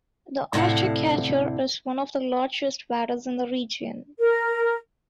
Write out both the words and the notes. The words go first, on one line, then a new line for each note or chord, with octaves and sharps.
The oystercatcher is one of the largest waders in the region.
D2 A2 C3 E4 F5 F#5
A#4